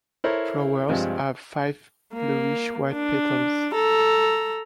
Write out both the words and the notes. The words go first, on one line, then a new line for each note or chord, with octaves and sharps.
Flowers have five bluish-white petals.
E4 A4 A#4 C5 C#5
G2 C3 F3 G#3 C4 D4
A#3
D4
A4 A#5